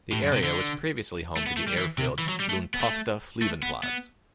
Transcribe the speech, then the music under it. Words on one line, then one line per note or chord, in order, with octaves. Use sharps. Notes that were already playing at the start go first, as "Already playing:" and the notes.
The area was previously home to the airfield Lundtofte Flyveplads.
A2
F#2
C3
D3
A3
B3
A3
G3
E3
C3
E3
F#3
G3
A3
B3
A3
A3
B3
B3